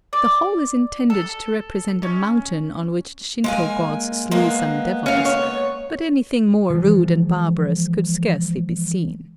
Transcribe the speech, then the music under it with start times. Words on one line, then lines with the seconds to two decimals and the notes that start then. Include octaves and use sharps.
The whole is intended to represent a mountain on which the Shinto gods slew some devils, but anything more rude and barbarous could scarcely be seen.
0.13 D5
1.10 A4
2.03 C#4
3.44 G#3 A#3 G#5
4.31 G#3 A#3 B3
5.06 C#4 F5
5.25 C#5
6.70 E3 F3 G#3